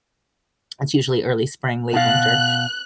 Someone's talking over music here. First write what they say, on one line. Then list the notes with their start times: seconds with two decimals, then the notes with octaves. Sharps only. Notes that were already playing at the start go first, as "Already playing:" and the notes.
it's usually early spring, late winter.
1.93 B2 F5 F#6